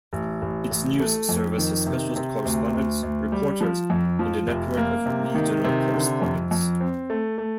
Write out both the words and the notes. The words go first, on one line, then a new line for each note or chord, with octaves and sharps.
Its news service has specialist correspondents, reporters and a network of regional correspondents.
A1
A1
A1
A3
F2
D#3
C3
C3
D2
D2
D2
G3
F3
F2
F3
F1
A#3
C3
D#3
C3
D3
F2
F2
C4
A3
A3